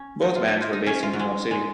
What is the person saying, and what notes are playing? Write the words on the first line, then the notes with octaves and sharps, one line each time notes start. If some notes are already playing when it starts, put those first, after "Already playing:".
Both bands were based in New York City.
Already playing: C#4
D#4
F4
D#4
F4
D#4
C#4
F4
F#3
G#3
G#3